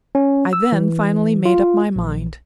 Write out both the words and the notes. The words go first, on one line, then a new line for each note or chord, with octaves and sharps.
I then finally made up my mind.
C#4
E6
E3
F4
A#1